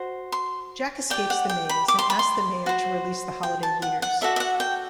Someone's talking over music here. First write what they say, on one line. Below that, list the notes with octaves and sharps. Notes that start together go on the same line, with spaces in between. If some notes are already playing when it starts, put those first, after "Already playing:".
Jack escapes the maze and asks the mayor to release the holiday leaders.
Already playing: F#4 C5
C6
G4 D5 G5
F#5
G5
B5
D6
C6
B5
C6
F#4 C5
G5
A5
F#5
F#5
F#4 A4 D5 E5
E5
F#5
G5